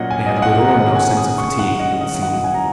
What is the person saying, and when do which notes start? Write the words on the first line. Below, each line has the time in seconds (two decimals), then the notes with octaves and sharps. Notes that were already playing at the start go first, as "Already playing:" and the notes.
They had little or no sense of fatigue, it would seem.
Already playing: A#2 F#3 C#4 D#5 F#5
0.11 G#5
0.27 D#5
0.38 D#5
0.42 F#5
0.58 A#5
0.74 D#3 G#3 C#4 F#5
0.95 G#5
1.17 D#6
1.38 C#6
1.59 F#5
1.80 D#5
2.01 D#3 F#3 C#4 D#5
2.23 F#5
2.34 F#5
2.44 G#5
2.54 A#5